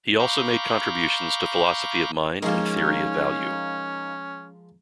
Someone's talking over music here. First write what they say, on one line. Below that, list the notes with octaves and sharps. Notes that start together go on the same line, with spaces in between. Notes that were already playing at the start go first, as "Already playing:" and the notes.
He also made contributions to philosophy of mind and theory of value.
F5 A#5 B5 C#6 D6 G6
F3 G#3 A#3 C#4 D#4 A#4